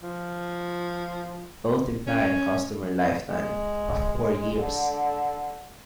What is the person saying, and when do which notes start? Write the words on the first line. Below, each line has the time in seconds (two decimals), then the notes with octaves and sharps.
Both imply a customer lifetime of four years.
0.03 F3
2.07 C#4
3.29 G#3
4.58 D3